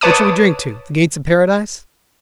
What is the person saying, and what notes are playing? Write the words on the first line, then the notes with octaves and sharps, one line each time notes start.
What shall we drink to? The gates of paradise?
B4 C#5 A5 D6 D#6